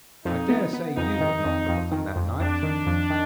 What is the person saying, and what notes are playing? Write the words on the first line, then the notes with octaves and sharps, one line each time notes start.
I dare say you have not forgotten that night!
F2 D#4
B3
B3
F2 D#4
D#3
F2
F2
D#3
F2
F2 D4
D#3
F2
D#3